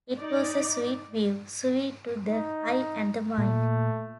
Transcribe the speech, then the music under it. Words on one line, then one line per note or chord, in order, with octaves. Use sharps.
It was a sweet view: sweet to the eye and the mind.
D#4 D5
D#4
A#2 A3